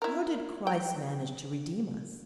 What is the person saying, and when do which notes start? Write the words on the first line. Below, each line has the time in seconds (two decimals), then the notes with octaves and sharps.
How did Christ manage to redeem us?
0.02 E4 A#4
0.67 G5